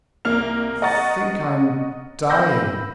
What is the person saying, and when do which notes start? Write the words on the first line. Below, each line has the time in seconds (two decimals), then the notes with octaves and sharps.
"I think I'm dying."
0.25 C2 A#3 F6 F7
0.82 D#5 F#5 A#5 C#6 A6
2.30 B5 E6 G6 A#6